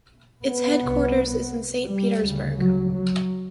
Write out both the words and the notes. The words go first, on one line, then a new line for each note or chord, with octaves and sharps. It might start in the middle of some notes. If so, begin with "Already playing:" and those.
Its headquarters is in Saint Petersburg.
B3
C2 C3
G3
D2 C#3
F#3
F#3